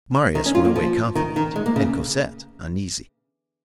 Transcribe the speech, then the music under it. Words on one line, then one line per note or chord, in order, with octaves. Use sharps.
Marius went away confident, and Cosette uneasy.
D#3
C#4
F4
A#3
F3
D#3
D#3
G#3
A#3
C#3